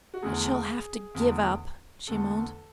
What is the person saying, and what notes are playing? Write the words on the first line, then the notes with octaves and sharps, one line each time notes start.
"I shall have to give up!" she moaned.
F#4
E2 D3 A3 G#4
E2 D3 A3
E2 D3 A3 A4